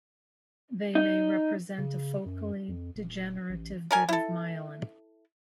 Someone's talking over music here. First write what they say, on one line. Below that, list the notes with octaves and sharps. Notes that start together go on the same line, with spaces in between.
They may represent a focally degenerative bit of myelin.
D#4
C#3
F#2
F2
D#1
A1
D3 A#4 G#5
E4 A4